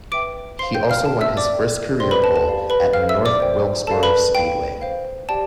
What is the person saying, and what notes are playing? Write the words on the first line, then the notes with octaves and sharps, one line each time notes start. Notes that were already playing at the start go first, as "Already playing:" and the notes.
He also won his first career pole at North Wilkesboro Speedway.
B4 E5 G5 D6 D7
C5 F5 C6 C7
G5 G6
F5 F6
C5 G5 A5
E5 E6
D5 D6
A4 D5 G5
A4 C5 D5 G5 C6
B4 B5
A5
A5
G4 D5 F5
B4 B5
A4 C5 F5 G5 F6
E5 E6
D5 D6
C5 G5
A4 D5 F5 A5
B4 B5
B4 F5 G5
C5 F5
G4 D5 G5 A5